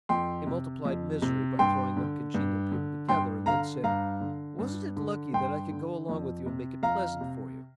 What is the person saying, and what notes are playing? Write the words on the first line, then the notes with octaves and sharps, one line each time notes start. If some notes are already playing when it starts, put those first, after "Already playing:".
He multiplied misery by throwing uncongenial people together and then said: 'Wasn't it lucky that I could go along with you and make it pleasant for you?'
F2 G5 C6
C3
F2
C3
G2 G5 C6
D3
G2
D3
G2 G5 C6
D3 F5 A#5
G2 F5 A#5
D3
G2
D3
G2 G5 C6
D3
F2
C3
F2 F5 A#5
C3